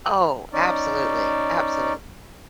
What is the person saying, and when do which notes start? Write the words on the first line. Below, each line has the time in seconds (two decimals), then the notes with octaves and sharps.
Oh, absolutely, absolutely.
0.53 C#4 D#4 D5